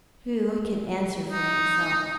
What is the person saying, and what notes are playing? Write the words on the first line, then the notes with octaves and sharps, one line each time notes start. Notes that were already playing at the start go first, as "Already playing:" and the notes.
Who can answer for himself?
D#4